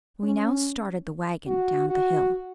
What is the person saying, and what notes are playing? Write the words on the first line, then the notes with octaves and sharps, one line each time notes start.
We now started the wagon down the hill.
C#4
F#4
F#4